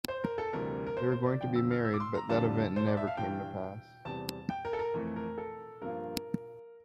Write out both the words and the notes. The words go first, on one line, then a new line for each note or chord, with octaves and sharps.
They were going to be married, but that event never came to pass.
C5
A#4
A4
D2 C3 E3 G3 A#4
A#4
C5
C5
D5
F2 D3 F3 G5
E6
F6
E6
D6
C6
A#5
F2 D3 G3 D4 F4 A5
C5
D5
E5
F5
G2 E3 G3 G5
E2 C3 E3 G3 A5
G5
A#4
A4
A#4
F2 E3 A3
A#4
A4
G2 F3 A#3 F4 A#4